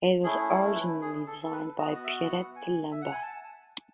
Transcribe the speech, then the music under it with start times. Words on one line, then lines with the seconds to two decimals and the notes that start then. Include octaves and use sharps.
It was originally designed by Pierrette Lambert.
0.24 A3 C#4 E4 G#4
0.50 A4
0.75 B4
1.02 G#4
1.27 A4
1.45 A4
1.52 B4
1.79 B3 F#4 D#5
2.04 E5
2.30 F#5
2.56 G#5
2.92 E5
3.02 F#5
3.12 G#5
3.22 A5